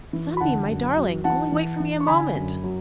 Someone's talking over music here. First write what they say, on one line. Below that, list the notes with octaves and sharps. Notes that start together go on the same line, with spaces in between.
'Sunbeam, my darling--only wait for me a moment.'
E3
B5
D3 F#5 A5
F#2
F#3
E3 F#5 A5
E3
E3
C#6
D3 G#5 B5
F#2
F#3